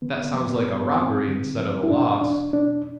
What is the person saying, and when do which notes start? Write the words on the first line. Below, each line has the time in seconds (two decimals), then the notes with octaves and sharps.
"That sounds like a robbery instead of a loss."
0.02 D3 B3
0.34 F3 B3
0.65 G2 B3
0.96 G2 C4
1.28 D3
1.59 F3
1.83 E4
1.90 B2 D4
2.21 E2 D4
2.53 B2 D4